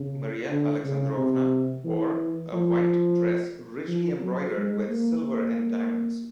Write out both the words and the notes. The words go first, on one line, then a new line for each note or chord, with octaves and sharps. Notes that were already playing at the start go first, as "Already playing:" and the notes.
Maria Alexandrovna wore a white dress richly embroidered with silver and diamonds.
Already playing: C#3
D3
C#3
C3
E3
F3
F3
F#3
G#3
A#3
A#3